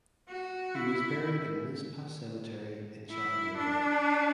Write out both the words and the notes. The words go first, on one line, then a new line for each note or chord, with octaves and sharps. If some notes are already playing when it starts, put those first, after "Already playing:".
He was buried in Mizpah Cemetery in Chattanooga.
F#4
E4
E4
D4